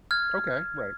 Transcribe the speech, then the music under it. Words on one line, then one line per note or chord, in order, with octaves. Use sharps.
Okay, right.
F6 G#6